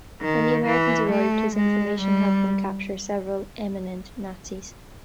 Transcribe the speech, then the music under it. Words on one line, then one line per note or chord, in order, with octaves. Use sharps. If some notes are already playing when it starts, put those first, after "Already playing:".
When the Americans arrived, his information helped them capture several eminent Nazis.
D#3
E3
A3
G#3
G3